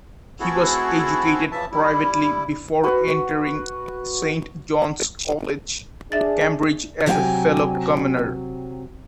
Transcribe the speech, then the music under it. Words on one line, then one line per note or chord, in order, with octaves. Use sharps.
He was educated privately before entering Saint John's College, Cambridge as a fellow commoner.
A3 C4 E4 F#4 G#4 A4
C#3 E3 F3 E5 A5
G3 E4
F#4 B4
D4 G#4 E5 A6
C3 F#3 C5 F5 G5 G#5